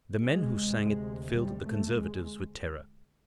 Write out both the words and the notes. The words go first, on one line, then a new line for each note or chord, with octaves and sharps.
The men who sang it filled the conservatives with terror.
D2 C3 G#3
G3
A3
G#3